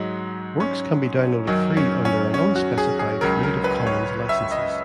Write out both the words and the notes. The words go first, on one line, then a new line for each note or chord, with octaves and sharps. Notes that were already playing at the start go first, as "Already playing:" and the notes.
Works can be downloaded free under an unspecified Creative Commons licenses.
Already playing: G#2 F#3 D#4
C#4
F#2 D#3 F#3 D#4
C#4
C#4
C#4
F#4
G#4
G#4
C#2 C#3 F#3 A#4
A#4
B4
C#5
E5
D#5